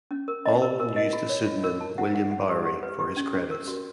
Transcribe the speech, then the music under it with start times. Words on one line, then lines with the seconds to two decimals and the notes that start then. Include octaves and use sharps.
Alwyn used the pseudonym William Bowery for his credits.
0.11 C#4
0.28 A#4
0.45 D#5
0.62 A#4
0.80 A#4
0.96 D#5
1.13 F4
1.29 C#5
1.46 F4
1.64 A#4
1.81 A5
1.98 F#5
2.15 F#5
2.31 F#5
2.49 G4
2.65 G4
2.83 B4
2.99 G4
3.17 C#4
3.34 C#4
3.51 A#4
3.68 F#4